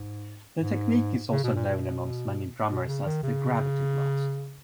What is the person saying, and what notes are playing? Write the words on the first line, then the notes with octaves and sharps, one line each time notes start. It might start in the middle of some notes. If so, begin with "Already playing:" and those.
The technique is also known amongst many drummers as the gravity blast.
Already playing: G#2
G#2
C#3
B2
A#2
B2
B2
C#3
D#3
C#3